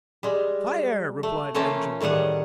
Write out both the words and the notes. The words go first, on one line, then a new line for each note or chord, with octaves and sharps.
"Fire!" replied Enjolras.
G3 G#3
A3
E3 A3 A#3 C#4 F4 A4
A2 D#3 G3 G#4 F#5